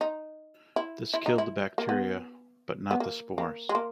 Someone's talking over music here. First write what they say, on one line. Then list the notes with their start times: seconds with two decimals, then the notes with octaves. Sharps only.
This killed the bacteria, but not the spores.
0.01 D#4
0.76 E4
1.14 E4
1.26 D#4
1.38 E4
1.78 A#3
1.89 B3
2.91 B3
3.00 A#3
3.38 A#3
3.69 G#3
3.75 A#3